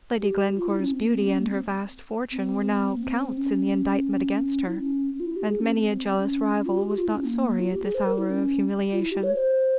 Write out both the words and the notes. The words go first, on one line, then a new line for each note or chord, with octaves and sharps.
Lady Glencore's beauty and her vast fortune were now counts in the indictment against her, and many a jealous rival was not sorry at this hour of humiliation.
G4
F4
E4
C#4
C4
A#3
C4
C#4
A#3
C4
C4
A#3
C4
C#4
E4
C#4
C#4
F4
E4
G4
G#4
C#4
C4
C#4
C#4
F4
G4
G4
F4
E4
C#4
A#3
F4
G4
G#4
C5
A#4
E4
C#4
F4
E4
G4
C#5
C5